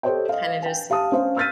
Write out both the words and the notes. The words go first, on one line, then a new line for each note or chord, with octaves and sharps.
kinda just
G4 A4 C5 C#5 D#5 G5
D#5 F5
G5 G#5
G4 F5 A5 D#6
C#4 C5 F5
E6 F6 G6 A6 B6 D#7